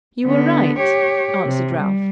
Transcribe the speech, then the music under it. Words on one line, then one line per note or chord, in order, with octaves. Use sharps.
'You were right,' answered Ralph.
D3 B3
G4 C#5
C3
G3